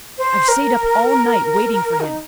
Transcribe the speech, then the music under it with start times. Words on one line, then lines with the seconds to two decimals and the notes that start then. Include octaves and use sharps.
I've sate up all night waiting for him.
0.18 C5
0.48 A#4
2.01 D#4